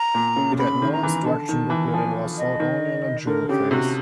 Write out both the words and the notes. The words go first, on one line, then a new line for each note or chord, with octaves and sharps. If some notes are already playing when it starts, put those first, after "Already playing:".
It had no instruction booklet and was sold only in a jewel case.
Already playing: A#5
A#2
C#3
C#3 B5
D#3
A#5
E3
D3 A5
D#3
E3
F3 G#5
D#5
D#3
D3 A#4
C#3 G4
C3 F#4